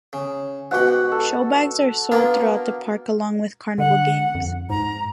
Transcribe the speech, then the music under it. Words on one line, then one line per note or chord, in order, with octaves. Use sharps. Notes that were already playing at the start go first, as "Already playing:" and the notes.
Show bags are sold throughout the park along with carnival games.
C#3
G#2 B2 F#4 G4 F#5
A4
A#3 B3 D4 F4
D3 F#5
F2
G#2 A#5